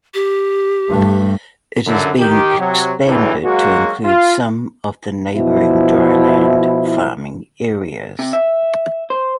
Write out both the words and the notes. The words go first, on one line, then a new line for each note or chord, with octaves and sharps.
It is being expanded to include some of the neighbouring dryland farming areas.
G4
G2 A3
C#2 F#2 D3
D#3 G4
C3 F#3
B1 E2 A2 D3 E3
F#3 G#3 A#3 F#4
F4
B2 F3 E4
C3
E5
C5